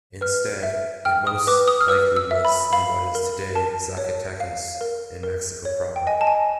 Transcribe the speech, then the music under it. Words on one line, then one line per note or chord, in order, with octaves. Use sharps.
Instead, it most likely was in what is today Zacatecas in Mexico proper.
B4 F6
E5
G5 F6
D#6
B4 D6
D#6
F6
B4 E6
E6
E5
B5
F5 B5
A#4
A#4 A5
C#5
F5
A#4
A#4
C#5
G5
D#5 G#5
A5
G#5